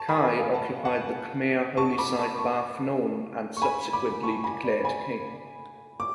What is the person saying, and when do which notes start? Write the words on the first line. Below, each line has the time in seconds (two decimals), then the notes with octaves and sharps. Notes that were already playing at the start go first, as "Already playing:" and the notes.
Kai occupied the Khmer holy site Ba Phnom and subsequently declared king.
Already playing: A5 C#6
0.09 G#5 B5
0.23 G#5 B5
0.39 F5 G#5
0.54 F#5 A5
0.85 F#5 A5
1.77 A5 C#6
1.98 B5 D6
2.19 A5 C#6
2.39 A5 C#6
3.57 C#6
3.62 G#5 B5
3.93 B5 D6
4.23 A5 C#6
4.44 G#5 B5
4.64 D5
4.85 G#5 B5
6.00 D6